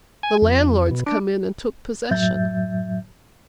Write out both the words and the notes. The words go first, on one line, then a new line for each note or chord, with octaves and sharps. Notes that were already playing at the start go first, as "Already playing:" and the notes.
The landlord's come in and took possession.
G#5
F2
B2
D4
F#2 A2 F#3 E5 G6 A6